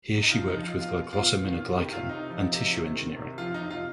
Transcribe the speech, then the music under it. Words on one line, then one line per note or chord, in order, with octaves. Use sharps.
Here she worked with glycosaminoglycan and tissue engineering.
C3
D#4
F4
F3
D#4
F3
F4
B2 F4
B2
F4
B2
D#3 F4
F4
D#3
G4
C3 F4
C3 D#4
F3
C3
D#3
D#3
C3
F3 F4
D#4
C3
F4